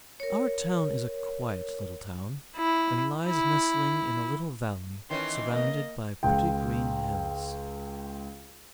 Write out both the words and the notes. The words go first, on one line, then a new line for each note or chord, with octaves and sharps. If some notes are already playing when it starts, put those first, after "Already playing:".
Our town is a quiet little town, and lies nestling in a little valley surrounded by pretty green hills.
A#4 C#5
E4
E4
D#3 E3 C#4 C6
A#3 D#5
C#2 G5